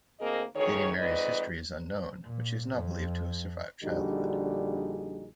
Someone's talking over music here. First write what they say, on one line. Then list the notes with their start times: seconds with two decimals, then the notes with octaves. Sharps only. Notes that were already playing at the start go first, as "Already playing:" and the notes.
Lady Mary's history is unknown, but she is not believed to have survived childhood.
0.20 D2 A#3 C4 G#4 A#4 D#5
0.55 D2 D#3 G#4 C#5
0.98 F2 G#2 B4 D5 D#5
2.23 A#2
2.73 F2
3.83 A#1 D3 G3 D#4 F#4 G#4